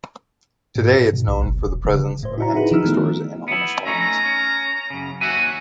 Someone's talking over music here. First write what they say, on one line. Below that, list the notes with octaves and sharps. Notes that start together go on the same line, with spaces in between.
Today it is known for the presence of antique stores and Amish farms.
G#2
G#2
B2
B1
G1
D#1
C#3
A2 C5
E4 F#4 A#5
D#4 E4 F#4 G#4 B4
D#3 F3 E4 E6 F6
D#3 A3 B3
B3 E4
A3 C#4 D#4 A#5
C#4
F#2 C#3
D#2 F#4 E5 G#5